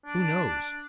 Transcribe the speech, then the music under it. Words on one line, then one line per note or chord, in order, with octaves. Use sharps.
Who knows?
D4